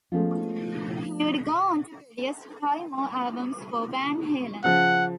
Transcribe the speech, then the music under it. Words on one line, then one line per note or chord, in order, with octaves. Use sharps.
He would go on to produce five more albums for Van Halen.
F3 G#3 A3 B3 C#4 F4
C#3 F3 F#5